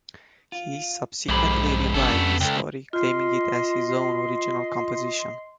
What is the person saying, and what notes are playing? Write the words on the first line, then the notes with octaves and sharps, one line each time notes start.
He subsequently revised this story, claiming it as his own original composition.
F4
B1 F2 G#2 G4 G#4 B5
G#1 G3 B3 C#4 D4 A4
F2
C#2 A4 G5
F4 D#5 C6